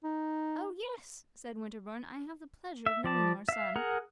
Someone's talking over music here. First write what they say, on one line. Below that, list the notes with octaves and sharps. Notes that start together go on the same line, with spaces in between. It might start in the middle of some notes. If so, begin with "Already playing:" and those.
"Oh, yes!" said Winterbourne; "I have the pleasure of knowing your son."
D#4
E5
F3 D5 A5
E5 F5
G#4 A#4 F#5 A#5